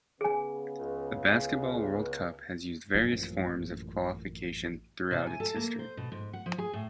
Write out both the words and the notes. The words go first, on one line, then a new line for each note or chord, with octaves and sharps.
The Basketball World Cup has used various forms of qualification throughout its history.
C#3 B3 G#4 G#5
C#2
A1 F#2 A#2 F3
C3
G#5
A4
A#3
C5
B2
G#2
F#5
F3
G#4
A2